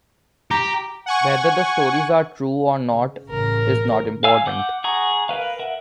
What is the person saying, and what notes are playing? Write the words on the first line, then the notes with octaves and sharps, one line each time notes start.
Whether the stories are true or not is not important.
G4 A#5
F#5 G#5 C#6
C#3
A1 C#3 A#4
F5 G#5 E6
F#5 D6 G6
G#4 F#5 A#5 C#6
A#4 B4 F5
A#4 E5 F#5